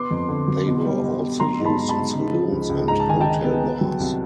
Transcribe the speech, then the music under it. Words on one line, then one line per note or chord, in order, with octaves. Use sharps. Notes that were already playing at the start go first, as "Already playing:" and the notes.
They were also used in saloons and hotel bars.
Already playing: B3 C6 D6
F2
D3
F#3
B2
G3
B2
B2
F#3 A#5 C6
G#2
A5 B5
G#2
A5 B5
G#2
C#3
F3
C#2
C#2
G#2 A#5
A5
D#3 G#5
G5 A5
D#3
B3
B3
F#3
C2